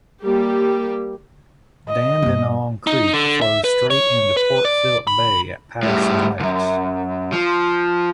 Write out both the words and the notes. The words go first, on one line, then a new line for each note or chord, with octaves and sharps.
Dandenong Creek flows straight into Port Phillip Bay at Patterson Lakes.
G3 A#3 G4
D#5
G2 A#3
D#4
D3
E5
B4
C#5
B4
D5
B5
A2 G3
C2 F#2
F3